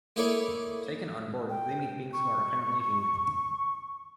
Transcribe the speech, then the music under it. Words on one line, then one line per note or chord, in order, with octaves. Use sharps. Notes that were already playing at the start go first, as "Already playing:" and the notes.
Taken on board, they meet beings who are apparently human.
A#3 D#4 E4 A4 C#5 D5
G5
C#6